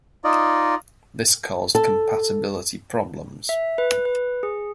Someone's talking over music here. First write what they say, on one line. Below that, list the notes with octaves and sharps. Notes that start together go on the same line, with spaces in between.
This caused compatibility problems.
D#4 F4 D5 D#5
A4
E5
B4
B4
G#4